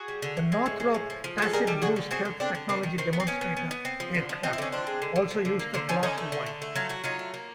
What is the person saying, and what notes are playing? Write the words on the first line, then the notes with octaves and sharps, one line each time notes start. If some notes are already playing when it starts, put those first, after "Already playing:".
The Northrop Tacit Blue stealth technology demonstrator aircraft also used a Clark Y.
Already playing: F#4 G#4
G3
D3
A2
G#3
A2
G#3
A2
F3
F3
G#3 A4
G3 G#4 A#4
G3 G4 A4
D3 F#4 G#4
D3
C4 F#4 G#4
D3
D3 C4 D4
D3
D#3 C4 D4
D#3
D#3 C4
B3
C4
B3 C#4
B3
B3
B3
C4
F3
D3
F3
C4 D#4
E4
D3 C#4 D#4
F3 C4 D4
G#3
D3
D3
F3
D3
A#3
D3 C4
F3 C#4
D3 C#4 D#4
A3
D3
D3
A3
F#3 F4
F#3 F#4
F#3 D#4 F4
A3
A#3